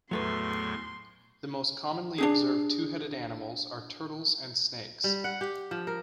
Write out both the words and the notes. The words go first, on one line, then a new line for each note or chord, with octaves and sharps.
The most commonly observed two-headed animals are turtles and snakes.
E2 A2 F#3 A3 B4 C6 C#6
D4 D#4 G#4
G3
F#5
G4
F3
A#4